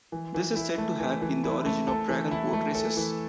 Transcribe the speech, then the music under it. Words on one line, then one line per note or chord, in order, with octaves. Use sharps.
This is said to have been the origin of dragon boat races.
E3
E3
E4
A3
E3
E3
E4
A3
A4
E3
E4
A3
A4
E3